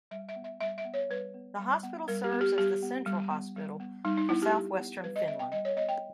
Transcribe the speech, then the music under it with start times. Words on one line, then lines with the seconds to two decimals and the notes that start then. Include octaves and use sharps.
The hospital serves as the central hospital for southwestern Finland.
0.11 G3 E5
0.29 E5
0.36 B3
0.44 E5
0.61 G3 E5
0.78 E5
0.85 B3
0.94 C#5
1.10 G3 B4
1.34 B3
1.59 G3
1.83 B3
2.08 G3 A#4
2.24 G4
2.32 B3
2.41 G4
2.58 G3 G4
2.82 B3
3.06 G3
3.31 B3
3.56 G3
3.80 B3
4.05 G3 D#4
4.18 D#4
4.29 B3 E4
4.42 G4
4.54 G3
4.79 B3
5.03 G3 B4
5.16 D#5
5.28 B3 E5
5.39 G5
5.52 G3 D#5
5.65 C#5
5.76 B3 D#5
5.89 G5